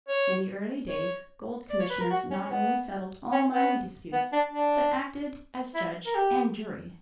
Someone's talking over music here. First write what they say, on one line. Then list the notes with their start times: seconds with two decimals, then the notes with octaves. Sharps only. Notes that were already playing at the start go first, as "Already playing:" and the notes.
In the early days gold commissioners not only settled all mining disputes, but acted as judge and jury.
0.08 C#5
0.89 C#5
1.70 D5
1.80 C#5
1.90 B4
2.00 A#4
2.10 F#4
2.30 C#4
2.42 C#4
2.51 B3
3.32 C#4
3.52 B3
4.13 B3
4.33 D4
4.53 D4
5.75 E4
6.06 A#4
6.15 G4